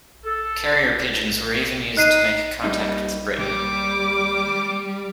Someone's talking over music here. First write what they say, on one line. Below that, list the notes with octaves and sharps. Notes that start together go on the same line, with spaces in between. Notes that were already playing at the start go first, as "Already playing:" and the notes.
Carrier pigeons were even used to make contact with Britain.
A4
D#4 F#6 C7 D#7
G3 A#3 D#4
D#2 G3 D6